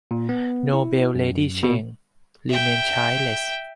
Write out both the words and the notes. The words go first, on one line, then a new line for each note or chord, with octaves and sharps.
Noble Lady Cheng remained childless.
A#2
B3
E4
F#2
B2
E5 G5